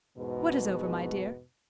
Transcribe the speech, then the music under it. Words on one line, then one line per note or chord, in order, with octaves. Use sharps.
"What is over, my dear?"
E2 G#2 B2